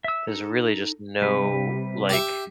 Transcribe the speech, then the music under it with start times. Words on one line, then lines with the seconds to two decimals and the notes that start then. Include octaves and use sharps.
there's really just no, like
0.04 E5 E6
0.28 D#4 A4
1.22 C3 G3 B4
2.09 G4 E5